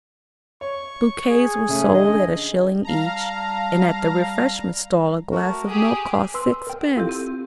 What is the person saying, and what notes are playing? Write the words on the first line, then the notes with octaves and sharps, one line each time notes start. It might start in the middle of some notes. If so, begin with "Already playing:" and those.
Bouquets were sold at a shilling each, and at the refreshment stall a glass of milk cost sixpence.
C#5 C#6
G#4
C#3 A3 C#4
D3 G#4 D#5
G3 F5 A5 A#5
A3 F#4 A#4
G4 G#4 D#6
B4 C6 E6
A#4 G5
C4 E4 F4 G4 A4 F5
C4